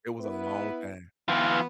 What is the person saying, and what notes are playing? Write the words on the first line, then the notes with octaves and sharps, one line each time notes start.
It was a long time,
B3 E4 B4
E3 B3 F4